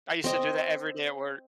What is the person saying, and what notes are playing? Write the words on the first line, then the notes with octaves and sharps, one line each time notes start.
I used to do that every day at work.
C4 D#5